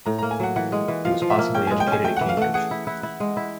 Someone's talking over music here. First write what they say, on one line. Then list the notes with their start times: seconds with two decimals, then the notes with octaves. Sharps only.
He was possibly educated at Cambridge.
0.06 A2 A#5
0.19 A#3 A#5
0.31 G#5
0.40 F#3 F#5
0.56 E3 F#5
0.72 G#3
0.88 E3
1.05 F3 F5
1.22 F3
1.30 E5
1.39 A#3
1.54 C#4 G5
1.67 G#3 G#5
1.80 G5
1.87 C#4 G#5
2.04 A3 G5
2.17 E3 F#5
2.29 F5
2.37 A3 F#5
2.54 G#4 F#5
2.71 E4
2.87 E4
3.03 E4
3.20 G#3
3.37 E4